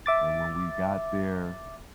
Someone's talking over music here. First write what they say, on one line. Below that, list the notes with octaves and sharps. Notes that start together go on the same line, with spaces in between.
And when we got there,
E5 D6 A6